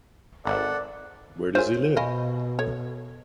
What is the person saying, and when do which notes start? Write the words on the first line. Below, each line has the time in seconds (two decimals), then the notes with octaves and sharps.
Where does he live?
0.45 G#1 A4 D5 F#5
1.55 F4 F#4 G#4 A#4 C5 C#5
1.97 B2 G4 D#5 F5 G#5 B5
2.59 A4 C#5